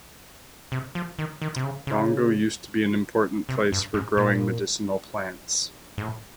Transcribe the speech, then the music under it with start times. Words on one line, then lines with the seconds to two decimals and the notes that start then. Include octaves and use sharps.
Rongo used to be an important place for growing medicinal plants.
0.72 C3
0.95 F3
1.19 D#3
1.42 D#3
1.56 C3
1.64 C#3
1.87 C#3
3.49 C3
3.72 G2
3.94 G#2
4.17 A#2
5.98 G#2
6.02 A2